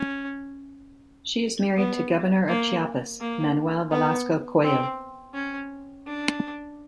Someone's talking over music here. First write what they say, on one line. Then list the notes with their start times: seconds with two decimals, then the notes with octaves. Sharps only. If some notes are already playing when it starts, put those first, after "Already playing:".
She is married to Governor of Chiapas, Manuel Velasco Coello.
Already playing: C#4
1.77 B3
2.49 A#3
3.20 A#3
3.91 B3
4.63 C4
5.34 C#4
6.06 D4